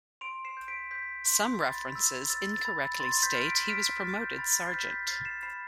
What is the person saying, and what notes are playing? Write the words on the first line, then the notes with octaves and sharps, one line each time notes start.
Some references incorrectly state he was promoted sergeant.
C6 D7 F7
C7 E7
G6
B6 D7
G6 B6
C6
B5 A6
E6
E6 A6
A6
B5
C6 A6
G6 B6
F6
B6 D7
E7
F6 B6 D7
F6 A6
G6
B5 A6
A6
C7
F6 G6 B6
G6 B6
F6 A6 C7
C7 E7
B5 C7 E7